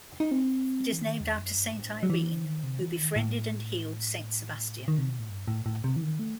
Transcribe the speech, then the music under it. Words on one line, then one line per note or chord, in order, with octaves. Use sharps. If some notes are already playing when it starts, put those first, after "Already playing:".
It is named after Saint Irene, who befriended and healed Saint Sebastian.
D#4
C4
E3
D#3
E2
F#2
G2
A2
F#3
E3
D#3
C3
E3
D#3
A2
D#3
C3
B2
A2
G2
A2
A2
C3
E3
D#3
A3